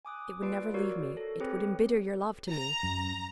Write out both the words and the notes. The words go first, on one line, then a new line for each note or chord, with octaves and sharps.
It would never leave me; it would embitter your love to me.
G#5 D6 D#6 F#6
A#3 F4 B4 D5 C7 D7
F#4 A#4 C#5 D5 E6 G6
A4
C4 G4 G#4 B4 C#5
A#5
F#2